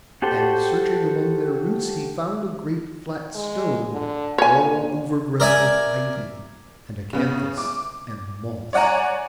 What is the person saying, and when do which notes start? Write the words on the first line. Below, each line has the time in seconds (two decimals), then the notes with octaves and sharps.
And searching among their roots he found a great flat stone, all overgrown with ivy, and acanthus, and moss.
0.22 F#4 G4 A4 C5 G5
3.35 G#3
3.92 D3
4.38 A#2 C#5 G#5
5.40 A#4 D5 E5 G#5
7.13 C#3 B3
7.58 D6
8.73 C#5 D5 F#5 G#5 A#5